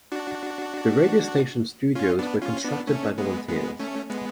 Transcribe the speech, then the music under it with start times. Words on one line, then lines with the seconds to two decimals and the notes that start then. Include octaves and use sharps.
The radio station studios were constructed by volunteers.
0.12 D4 F#4
1.95 C#4 F4
2.19 B3 D4
2.42 C#4 F4
2.64 B3 D4
2.87 A3 C#4
3.18 G#3 B3
3.48 G#3 B3
3.79 A3 C#4
4.10 G#3 B3